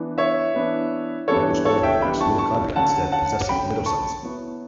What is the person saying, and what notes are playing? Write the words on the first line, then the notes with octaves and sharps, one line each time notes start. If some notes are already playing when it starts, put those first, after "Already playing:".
Microsporidia lack mitochondria, instead possessing mitosomes.
Already playing: E3 B3 D4
C#5 E5
E3 B3 D4
E3 G3 B3 D4 A4 C#5
A4 C#5
E5 G5
E3 G3 B3 D4 G5 B5
A5 C#6
A5 C#6
D3 F#3 C#4 F#5 A5
F#5 A5
D3 F#3 C#4 G5 B5
A5 C#6
F#3 B3 E4